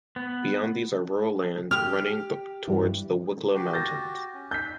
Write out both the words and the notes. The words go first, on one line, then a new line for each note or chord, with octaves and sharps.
Beyond these are rural lands, running towards the Wicklow Mountains.
B3
G4 F6
G2 E3 E4
F#4 G4
G6 A6 A#6
C#4
G6 B6